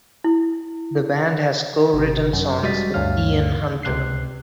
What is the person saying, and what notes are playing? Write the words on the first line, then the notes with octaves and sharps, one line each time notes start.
The band has co-written songs with Ian Hunter.
E4
G#1 C3
F#2
G3 G#3 F#4 D#5 A6 B6
D2 G2 C#5 F5 F6
C#2 C3 F#6 C7